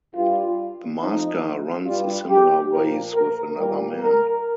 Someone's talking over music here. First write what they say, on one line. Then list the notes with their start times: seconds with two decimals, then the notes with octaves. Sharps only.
The masker runs a similar race with another man.
0.15 G2 G3 F4
1.00 F2 F3 D#4
1.86 G2 G3 F4
2.29 G4
2.71 A#2 F3 A#4
3.14 A#4
3.56 A#2 G3 A#4
3.99 A#4